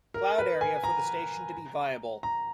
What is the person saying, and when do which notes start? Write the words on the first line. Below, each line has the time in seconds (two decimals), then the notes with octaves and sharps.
Cloud area for the station to be viable.
0.14 A#4
0.39 B4
0.61 G#5
0.84 A#5
2.23 A#5